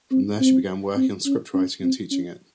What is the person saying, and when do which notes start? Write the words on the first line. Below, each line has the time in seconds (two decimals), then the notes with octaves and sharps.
From there she began working on scriptwriting and teaching it.
0.11 C4
0.40 C4
0.97 C4
1.26 C#4
1.54 C#4
1.83 C4
2.11 C#4